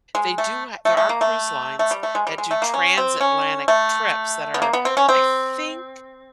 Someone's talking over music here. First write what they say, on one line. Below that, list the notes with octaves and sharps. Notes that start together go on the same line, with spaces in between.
they do ha there are cruise lines that do transatlantic trips that are, I think
G#3
A3
A3
A3
A#3
A3
A3
G3
A3
G#3
G3
G#3
A3
A#3
C#4
C4
C#4
A3
B3
A#3
B3
C4
C#4
C4